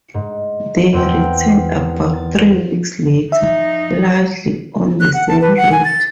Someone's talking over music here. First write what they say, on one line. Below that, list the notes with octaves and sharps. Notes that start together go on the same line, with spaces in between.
They returned about three weeks later, largely on the same route.
G#2
E2 C4 G5
A6
F3 D#4 E5
F#6
F#5
A5
B4
F#5
G#5
A6